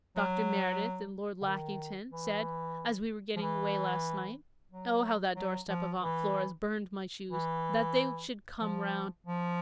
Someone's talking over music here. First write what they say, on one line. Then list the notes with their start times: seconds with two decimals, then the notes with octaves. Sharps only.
Dr. Meredith and Lord Lackington said, as we were getting away last night--oh, how that doorstep of Aunt Flora's burned my shoes!--that they should come round.
0.16 F#3
1.41 D3
1.46 D#3
2.11 E3
3.36 F3
3.41 E3
4.72 F#3
5.36 F#3
5.69 F3
6.01 E3
7.31 E3
8.61 F3
9.26 F3